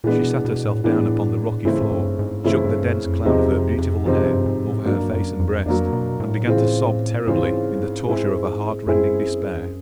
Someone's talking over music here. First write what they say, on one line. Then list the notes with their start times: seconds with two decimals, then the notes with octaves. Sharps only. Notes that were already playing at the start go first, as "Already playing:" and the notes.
She sat herself down upon the rocky floor, shook the dense cloud of her beautiful hair over her face and breast, and began to sob terribly in the torture of a heartrending despair.
0.04 A#2 E3 G#3 B3 D4
0.25 B2
0.45 B2
0.65 A2
0.84 A2 E3 G#3 B3 D4
1.65 G#2 C#3 E3 A3 C4 E4
1.81 G#2
1.92 G2
2.19 G#2
2.44 G2 C#3 E3 A3 C4 E4
2.65 G2
2.85 F#2
3.05 F2
3.25 E2 C3 F3 G#3 C4 D#4
3.52 F2
3.78 F2
4.06 F#2 C3 F3 G#3 C4 D#4
4.26 G2
4.46 G#2
4.66 A2
4.81 G#2
4.86 G2 F#3 A#3 D4
5.13 F#2
5.40 F2
5.66 F2 F#3 A#3 D4
5.92 B2
6.20 A2
6.47 C#3 E3 G#3 C4 F4
7.27 G#2 C#3 E3 G#3 C4 F4
8.07 G#3 C4 E4 G#4
8.87 F#2 G#3 C4 E4 G#4